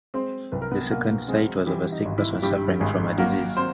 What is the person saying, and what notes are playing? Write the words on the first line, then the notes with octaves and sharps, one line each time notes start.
The second sight was of a sick person suffering from a disease.
G#3 C4 C5
C2 B4
A#4
B3 B4
B2 A#3 A#4
G#3 C4 G#4
E3 G3 G4
D#4
G#1
E4
G2 G3 G4
G#1 G#3 G#4
F#3 A#3 A#4
C4 C5